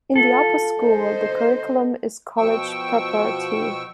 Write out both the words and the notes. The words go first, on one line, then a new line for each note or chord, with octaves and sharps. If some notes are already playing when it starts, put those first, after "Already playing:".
In the Upper School, the curriculum is college preparatory.
F4 A4
C5 D#5
B2 F3 G5 C#6 E6